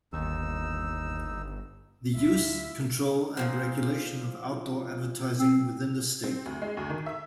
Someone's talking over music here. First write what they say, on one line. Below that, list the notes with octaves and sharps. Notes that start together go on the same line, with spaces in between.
The use, control and regulation of outdoor advertising within the state.
G1 D#2 D#4 E6
D2 E4 F4 E5
A#2 D3 F3
C4
C4
D2
G#3
D2
D#3
E5